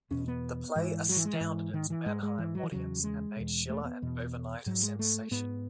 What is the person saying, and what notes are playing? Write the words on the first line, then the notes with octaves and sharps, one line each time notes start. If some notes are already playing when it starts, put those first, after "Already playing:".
The play astounded its Mannheim audience and made Schiller an overnight sensation.
E2 B2 C#4
B3
G#2 E3
F#3
E3
G#3
E3
G#2
D#3
E3
G#2 G#3
G#3
E3
F#3
E3
E2 C#3 F#3
G#3
E2 B2
A3
B3
E2 B2
G#2 F#3
G#3
A3
G#2 B3